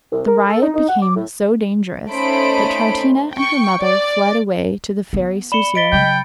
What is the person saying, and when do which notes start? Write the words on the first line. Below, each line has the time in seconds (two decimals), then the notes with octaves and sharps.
The riot became so dangerous that Troutina and her mother fled away to the fairy Soussio.
0.12 C2
0.27 A#4
0.47 A4
0.61 D#4
0.74 D#4
0.88 F#5
1.02 D6
1.15 A2
2.11 A3 C#4 D#4 C5 B5 D7
3.35 G5 C#6
3.83 D5
5.13 B3
5.52 D5 B5 C#7 E7 G7
5.75 D#5 A6 B6 D7 G7
5.92 C#3 F#3 G5